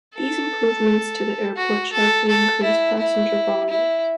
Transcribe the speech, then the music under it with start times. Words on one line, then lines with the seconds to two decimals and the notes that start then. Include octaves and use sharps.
These improvements to the airport sharply increased passenger volumes.
0.15 A4
1.57 F#4
1.92 A4
2.28 A4
2.63 E4
2.99 E4
3.69 E4